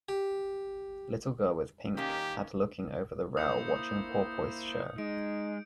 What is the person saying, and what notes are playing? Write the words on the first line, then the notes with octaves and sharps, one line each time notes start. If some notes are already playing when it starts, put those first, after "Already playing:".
Little girl with pink had looking over the rail watching porpoise show.
G4
D#3 A#3 C#4 G4
A#3 E4 C5 D#6 G6 C#7
G#3 D#4 D7